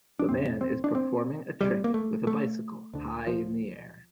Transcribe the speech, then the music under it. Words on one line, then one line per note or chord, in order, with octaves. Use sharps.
The man is performing a trick with a bicycle high in the air.
D4
F2 C3 C4
C4
D4
C4
C2 C3 G3
A#3
A3
A3
D2 D3
F3